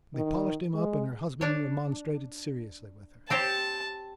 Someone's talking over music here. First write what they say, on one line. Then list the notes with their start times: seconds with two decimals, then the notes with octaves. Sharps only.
They polished him up and her husband remonstrated seriously with her.
0.15 D#3
0.74 G#3
1.41 D4 C#5
3.30 C4 G4 C#5 A5